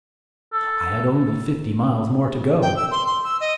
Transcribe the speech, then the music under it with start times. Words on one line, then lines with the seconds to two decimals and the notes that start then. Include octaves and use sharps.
I had only fifty miles more to go.
0.53 A4
2.62 G5
2.76 E6
2.91 C6
3.06 C6
3.24 E6
3.41 D#5